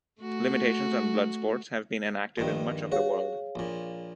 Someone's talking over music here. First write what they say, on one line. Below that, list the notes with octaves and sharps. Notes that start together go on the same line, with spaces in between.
Limitations on blood sports have been enacted in much of the world.
A3 F#4
A#1 G2 D#3
F#4 G#4 C#5 F5
A#1 A#2